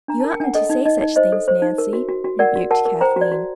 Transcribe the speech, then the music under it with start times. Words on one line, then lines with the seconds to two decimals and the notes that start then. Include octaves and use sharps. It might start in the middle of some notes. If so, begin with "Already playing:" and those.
"You oughtn't to say such things, Nancy," rebuked Kathleen.
0.08 D4 A#5
0.20 A#4 A5
0.32 G5
0.40 D4 F#5
0.55 A4 D#5
0.70 D#4
0.86 D#4 D#5
1.02 D#4
1.16 C5 D#5
1.32 A4
1.48 C5
1.62 D#4
1.78 A#4
1.93 F#4
2.08 F#4
2.24 F#4
2.39 A#4 D5 F#5
2.56 F#4
2.71 A#4 F#5 A5
2.85 A#4
3.01 C5 G5 A#5
3.16 F#4 D5
3.32 F#4